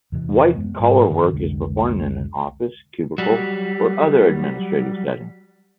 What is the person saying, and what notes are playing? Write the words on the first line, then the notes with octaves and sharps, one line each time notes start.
White-collar work is performed in an office, cubicle, or other administrative setting.
E2 C3 E3
F#2 G#3 B3
G#2 G3
F#2 D#3 E3 F#3
C2 F2 D3 G#3
F#3 G3